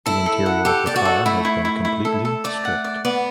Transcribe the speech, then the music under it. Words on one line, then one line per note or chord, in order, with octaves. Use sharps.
The interior of the car has been completely stripped.
E4 A4
A4
F#5
G4 A4
G4 D5
F#4
A4
A3 E4
E4
E4
E4
A4
A4
A3 D5
F#5
D5
B3 D5